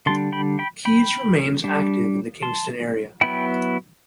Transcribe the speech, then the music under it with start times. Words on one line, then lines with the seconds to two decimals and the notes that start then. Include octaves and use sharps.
Keyes remains active in the Kingston area.
0.06 D3 G3 D4 A5 C6
0.32 G5 B5
0.59 G5 B5
0.85 G5 B5
1.64 G3 D4
2.42 A5 C6
3.21 F#3 B3 E4 G5 B5